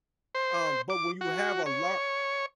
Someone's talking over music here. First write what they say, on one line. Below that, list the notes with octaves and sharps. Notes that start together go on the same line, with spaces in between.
um, but when you have a lar
C5
D6
F#4
C#5